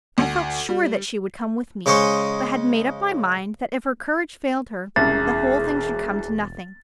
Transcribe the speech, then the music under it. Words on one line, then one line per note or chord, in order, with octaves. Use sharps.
I felt sure that she would come with me, but had made up my mind that if her courage failed her, the whole thing should come to nothing.
D2
G3
C#3 G#3 C5 C6 C#6 D#6
E1 C2 F#2 G#4 A6